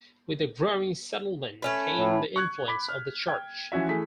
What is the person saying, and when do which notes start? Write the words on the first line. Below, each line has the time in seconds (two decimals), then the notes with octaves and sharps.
With the growing settlement came the influence of the Church.
1.62 A3 C#4 B4
1.97 A2
2.36 C#6 F#6 G#6
2.68 B5 D6 B6
2.89 F6
3.28 G5 G#6
3.72 E3 F3 C#4 F#4 E5
3.88 E3 A3 G#4 B6